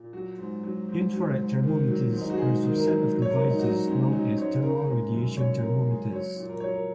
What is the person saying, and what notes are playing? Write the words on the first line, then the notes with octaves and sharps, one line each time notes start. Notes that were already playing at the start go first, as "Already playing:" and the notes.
Infrared thermometers are a subset of devices known as "thermal radiation thermometers".
Already playing: A#2
F#3 F#4
G#2
F#3
G#2
F#3
G#2
D#3
F#3
G#2
D#4
F#4
G#2 G#4
D#3
A#4
F#3
F#3
C#5
A#4
G#2
D#4
F#3 F#4
D#4
G#2 C#4
C#4
F#3 D#4
G#2 C#5
C#3 A#4
G#3
F#2
F#2 C#5
C#3 A#4
G#3 G#4
F#3 C#5
A#2
A#4
F#3 C#5
A#4